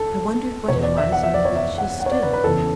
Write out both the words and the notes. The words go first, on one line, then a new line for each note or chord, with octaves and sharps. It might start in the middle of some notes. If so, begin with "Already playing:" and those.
I wondered what it was on which she stood.
Already playing: A4
E2 B2 C#5
D5
E5
F#5
E5
D5
C#5
E5
F#5
F#5
C#5
D5
B4
B4
E2 C#3 E3 A4